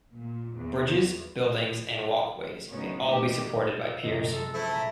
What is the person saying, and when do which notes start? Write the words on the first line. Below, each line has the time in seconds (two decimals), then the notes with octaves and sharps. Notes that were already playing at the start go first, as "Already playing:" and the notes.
Bridges, buildings, and walkways may all be supported by piers.
0.12 A#2
0.55 E2
2.71 A2 C#3 F#3 B3 C#4 D#4
3.06 B2 E3 A3 D#4 G4
3.88 E5 F#5
4.03 F#2 C3 F3 D#5
4.32 F#3 G#3 A4
4.54 A3 E4 A4 C5
4.71 A#1 E5 A#5 D#7